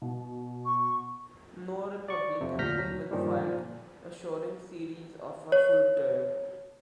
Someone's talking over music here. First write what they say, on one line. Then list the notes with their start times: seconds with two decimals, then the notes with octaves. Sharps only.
No Republican even filed, assuring Sires of a full term.
0.02 B2
0.65 C#6
2.08 D5 C#6
2.41 F2 C3
2.59 D2 A#2 F6 G6 A#6 B6
2.79 F#3
3.11 G2 A#2 D#3 F3 G3
3.41 A#2 F3
5.52 C#5